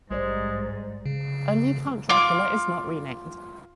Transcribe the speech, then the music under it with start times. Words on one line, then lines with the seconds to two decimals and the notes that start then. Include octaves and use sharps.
Only Count Dracula is not renamed.
0.11 A#1 G#2 G3 G#3 C5 D5
1.06 C#3
2.09 F4 D6